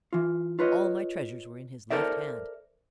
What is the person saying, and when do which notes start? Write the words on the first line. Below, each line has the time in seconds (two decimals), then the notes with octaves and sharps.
All my treasures were in his left hand.
0.13 E3 F4
0.59 F4 B4 C#5 D#5
1.91 A4 A#4 C5 D5 E5